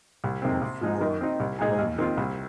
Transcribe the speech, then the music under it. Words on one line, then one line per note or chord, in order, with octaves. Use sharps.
before COVID,
C2
C3 D#3 G#3 C4
C3
F3 G#3 D#4
D#3
C4 D#4
C2
A#2 G#3 D#4 G#4
D#2
D#3 C4 F4
C2